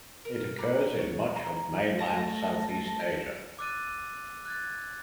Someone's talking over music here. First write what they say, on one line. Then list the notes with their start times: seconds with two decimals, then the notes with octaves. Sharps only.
It occurs in much of Mainland Southeast Asia.
0.25 B2 A#4
0.58 B4 A#5 D6
0.98 F#4 C#5
1.36 A#5 C6
1.99 A3 A5 A#6
3.59 D6 E6 F#6 A6 D#7
4.46 F#6 G#6 A6